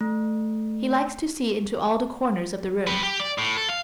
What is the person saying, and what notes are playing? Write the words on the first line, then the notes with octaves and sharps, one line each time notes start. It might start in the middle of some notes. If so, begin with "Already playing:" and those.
"He likes to see into all the corners of the room."
A3
G4 B4
G4
D5
A2
A4
F5